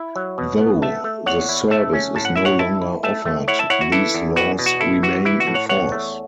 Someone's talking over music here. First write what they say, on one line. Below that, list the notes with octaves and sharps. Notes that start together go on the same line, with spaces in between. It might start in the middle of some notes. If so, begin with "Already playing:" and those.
Though the service is no longer offered, these laws remain in force.
Already playing: E4
F#3
B2
B3
A3 E5 A5
A3
E2 C#5 F#5
E4
A3 E5 A5
C#4
A2 A5
F#5
E4 E5
C#5 F#5
E4 E5 A5
E4
A3 E5 A5
A3
E4 C#5 F#5
E5 A5
E4 C#5 F#5
F#4
E3 E4 A4
E2
E2 F#4 B4
B2
F#4
E4 A4
E3 F#4
E3 E4
F#4
A2
C#5 F#5
E2 C#5 F#5
A3